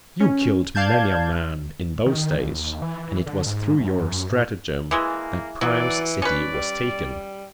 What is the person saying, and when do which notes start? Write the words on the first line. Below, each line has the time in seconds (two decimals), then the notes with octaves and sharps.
You killed many a man in those days, and it was through your stratagem that Priam's city was taken.
0.20 C#4
0.75 D5 F5 A5 G6 G#6
2.06 D#3
2.38 D#2
2.82 E3
3.26 D3
3.46 G#2
3.80 F#2
4.30 A2
4.91 E3 G#3 A#3
5.61 E3 F#3 D5
6.22 C#4 B4 D5
6.54 G3